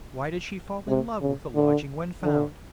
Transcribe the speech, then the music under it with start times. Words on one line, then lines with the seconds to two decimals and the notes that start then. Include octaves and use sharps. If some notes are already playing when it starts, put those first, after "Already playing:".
Why did she fall in love with the lodging when found?
0.88 C3
1.21 C#3
1.55 D3
2.23 D3